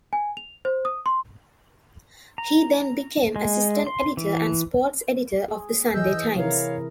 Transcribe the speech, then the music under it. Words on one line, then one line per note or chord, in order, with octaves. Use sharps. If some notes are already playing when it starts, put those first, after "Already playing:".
He then became assistant editor and sports editor of the "Sunday Times".
G#5
F7
C5
D#6
C6
A#5
G#3
C6
E3
G#4
E3 G#4 D#5 E6 G6
C3 E4 A#4 C#5 F5